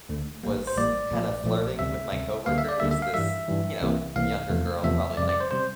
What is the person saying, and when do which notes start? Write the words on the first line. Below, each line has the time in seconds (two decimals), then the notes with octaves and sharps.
was kinda flirting with my coworker, just this, you know, younger girl, probably, like
0.09 D2 D3 A3
0.43 A1 A2 G3 A#3
0.67 C5
0.77 A1 A2 G3 A#3 D5
1.11 A#1 A#2 F3 A3
1.44 A#1 A#2 F3 A3
1.79 D2 C3 G3 E5
2.12 D2 C3 G3
2.46 D2 D3 G3 A#3 F5
2.58 E5
2.69 D5
2.80 D2 D3 G3 A#3 E5
2.91 E5
3.02 F5
3.14 G2 E3 G3 E5
3.48 G2 E3 G3
3.81 C2 C3 E3 A#3
4.16 C2 C3 E3 A#3 F5
4.50 E2 C3 F3 A3
4.83 E2 C3 F3 A3 E5
5.17 F2 C3 G3 D5
5.29 D5
5.40 C5
5.51 C3 G3 C5